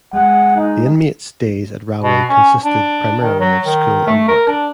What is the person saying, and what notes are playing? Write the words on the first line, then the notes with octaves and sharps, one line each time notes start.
The inmates' days at Rahway consisted primarily of school and work.
G#3 F#5
D#4
B2
C#4
D4
D#3
F#3
D#3
A3
A#4
D4